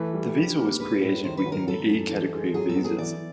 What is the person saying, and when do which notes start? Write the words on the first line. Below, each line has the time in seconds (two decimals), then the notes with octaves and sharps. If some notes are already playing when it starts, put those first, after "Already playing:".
The visa was created within the E category of visas.
Already playing: E3 A3 B4
0.14 G3
0.36 G3
0.57 A#3
0.80 G#3 B4
1.02 A2
1.23 D#3 C5
1.37 B4
1.46 F#3
1.52 A#4
1.67 F#3 A4
1.90 F#2
2.11 E3
2.34 G#3
2.54 F#3 G#4
2.69 A4
2.76 B3
2.84 G#4
2.98 E3 D5